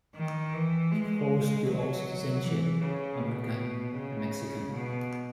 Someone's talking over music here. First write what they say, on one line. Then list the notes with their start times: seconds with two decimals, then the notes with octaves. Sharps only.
He holds dual citizenship - American and Mexican.
0.15 D#3
0.54 E3
0.92 G#3
1.68 F#3
2.44 E3
2.82 C#3
3.20 B2
3.96 C#3
4.72 B2